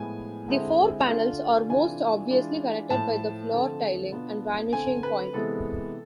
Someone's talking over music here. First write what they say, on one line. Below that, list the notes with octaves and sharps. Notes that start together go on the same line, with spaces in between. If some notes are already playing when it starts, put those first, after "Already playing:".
The four panels are most obviously connected by the floor tiling and vanishing point.
Already playing: A2 F3 G#3 B3 G#5
D3 G#3 C4 E4
D3 A3 D4 F4
C3 E3 A3 D4 F4 G#5
E3 G#3 D4 F4
A2 F3 A3 A5
D3 F3 A3 C4
B2 B3 D4 F4
D3 A3 C4 G#5
B4
C3 E3 G#3 B3 A4